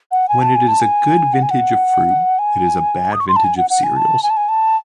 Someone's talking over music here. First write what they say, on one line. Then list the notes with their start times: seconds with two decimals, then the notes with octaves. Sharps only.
When it is a good vintage of fruit, it is a bad vintage of cereals.
0.11 F#5
0.29 G#5
0.42 A5
0.55 G#5
0.68 A5
0.81 G#5
1.34 F#5
1.43 G#5
1.51 F#5
2.39 G#5
3.13 D#6
3.20 C#6
3.28 C6
3.36 A5
3.44 G#5
3.57 F#5
3.70 F#5
3.84 G#5
3.96 A5
4.23 G#5
4.30 A5
4.37 G#5
4.49 A5